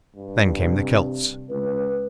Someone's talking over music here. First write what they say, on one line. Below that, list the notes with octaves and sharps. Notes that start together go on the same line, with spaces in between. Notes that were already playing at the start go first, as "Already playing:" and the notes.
Then came the Celts.
G2
C3
C#2 B4